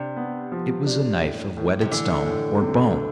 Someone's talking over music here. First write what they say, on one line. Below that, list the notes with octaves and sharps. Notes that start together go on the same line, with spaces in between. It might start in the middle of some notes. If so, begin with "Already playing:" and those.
It was a knife of whetted stone or bone.
Already playing: C3 D4
B3
F3
D4
A2
A2
C3
D3 E3
A2
C3